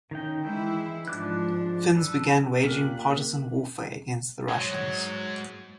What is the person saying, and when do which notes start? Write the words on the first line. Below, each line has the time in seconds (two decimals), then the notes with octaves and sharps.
Finns began waging partisan warfare against the Russians.
0.11 D#3 C#4 D#4 G5
0.45 E3 G#3 E4 G5
1.08 G#2 F3 G#3 D4 D6 F#6
1.95 A4 B4
2.63 A#2 A#3 G4 A#4 F6 F#6 B6
4.49 G#2 F#3 G#3